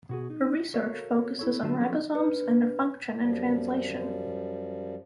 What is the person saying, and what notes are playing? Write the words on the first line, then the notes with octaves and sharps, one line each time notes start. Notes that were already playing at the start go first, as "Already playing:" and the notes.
Her research focuses on ribosomes and their function in translation.
B2 F#4 G#4
D#4
F#4 A4 A#4 C#5 E5 F5
E4 A4 C#5
D3 F#3 F4 A5
F3 F#3 C4 D4 A4 C#5
D4 B4
F#2 F3 G3